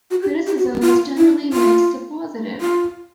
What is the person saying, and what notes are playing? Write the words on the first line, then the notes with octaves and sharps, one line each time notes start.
Criticism was generally mixed to positive.
F#4
G4
G4
F#4
F4
E4
F4
F4